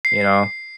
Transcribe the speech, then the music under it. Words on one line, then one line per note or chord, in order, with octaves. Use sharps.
you know?
C7